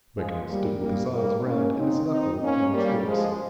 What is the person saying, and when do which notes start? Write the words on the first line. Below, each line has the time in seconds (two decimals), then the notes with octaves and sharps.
Bechamel stood with his eyes round and his knuckle on his hips.
0.17 F3 G#3
0.49 G3 A#3
0.81 G3 A#3
1.13 G3 A#3
1.46 A#3 C#4
1.77 C4 D#4
2.09 C4 D#4
2.43 A#3 C#4
2.74 G3 A#3
3.06 F3 G#3